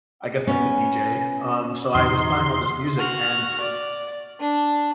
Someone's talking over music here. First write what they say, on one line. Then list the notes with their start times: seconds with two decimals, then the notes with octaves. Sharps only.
I guess like the DJ, um, so I was playing all this music and
0.47 B3 C#4 G#5
1.95 E2 A2 D3 D#4 C6
2.98 F#4 F6
3.60 D5
4.40 D4